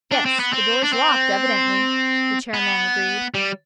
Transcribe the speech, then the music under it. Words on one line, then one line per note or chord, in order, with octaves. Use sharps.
"Yes, the door's locked, evidently," the chairman agreed.
D4
C4
B3
C4
D4
C4
B3
G3